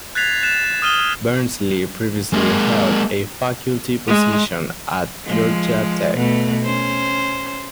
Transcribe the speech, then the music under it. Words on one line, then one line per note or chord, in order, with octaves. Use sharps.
Barnsley previously held a faculty position at Georgia Tech.
F#6 G#6 A6 B6 C7 F7
F#6 A6 E7
D#6 F6 D#7 G7
G#3 A#3
G#3
F3 G#3
B2 A3 B3
C#4 C5